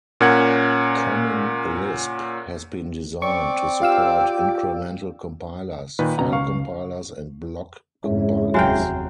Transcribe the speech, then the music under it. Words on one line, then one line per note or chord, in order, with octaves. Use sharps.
Common Lisp has been designed to support incremental compilers, file compilers and block compilers.
A#2 C#4 A#4 F#5 G#6
C4 D5 C#6
F4 G4 F5 E6
A#2 D#3 B4
C#2 B2 C#4 A#5
F5 C#6
F2 G#2 G#3 C#4 E4
F1 D#2 F#3 F#4 E5 F5 G5 G#5